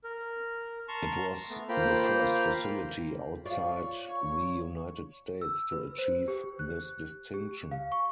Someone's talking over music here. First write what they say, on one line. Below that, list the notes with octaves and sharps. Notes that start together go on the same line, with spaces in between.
It was the first facility outside the United States to achieve this distinction.
A#4
A5 A#5 C6 C#6
A3 B3
A#3 F4 C5 G5 A#5 B5
F4 C#5 D5
E6
B4
C5
G4
F#6
G4
F5
C#6